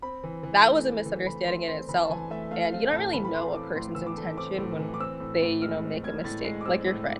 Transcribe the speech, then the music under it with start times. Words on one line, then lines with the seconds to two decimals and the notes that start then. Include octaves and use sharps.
that was a misunderstanding in itself, and you don't really know a person's intention when they, you know, make a mistake, like your friend.
0.02 C4 B5
0.24 E3
0.43 E3
0.65 A3
0.85 C4
1.06 E3
1.26 E3 B5
1.47 A3 C6
1.67 C4 C6
1.89 E3 B5
2.04 A5
2.09 E3 G#5
2.30 A3 E5
2.51 A3 F5
2.72 C4 F5
2.92 A2 A5
3.13 E3 B5
3.25 B5
3.34 A3 C6
3.55 C4 D6
3.75 A2 C6
3.95 E3 E6
4.06 D6
4.17 A3
4.37 C4 D6
4.58 A2
4.79 E3
4.94 D6
5.00 C4 E6
5.20 A2
5.42 A2
5.62 G#3 F6
5.83 C4
6.03 A2 G#6
6.24 A2 A6
6.44 G#3 C7
6.61 D6
6.66 C4 E6
6.87 A2